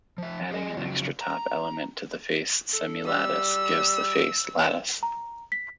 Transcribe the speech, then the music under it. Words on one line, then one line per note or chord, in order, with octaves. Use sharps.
Adding an extra top element to the face semilattice gives the face lattice.
F3 E5
G4 G#4 D#5 E5 G#5
C#3 F3 F#3
A#5
A4
G3 E6
A#5
B6